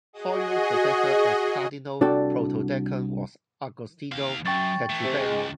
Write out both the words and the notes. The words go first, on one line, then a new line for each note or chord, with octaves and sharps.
Hoyos' successor as Cardinal protodeacon was Agostino Cacciavillan.
F#4 G#4 D#5
C2 D4 F#4 A4 D5 G5
D#2 F5
F#2 G5 C#6 A6
E3 A3
C3
C#2 G#3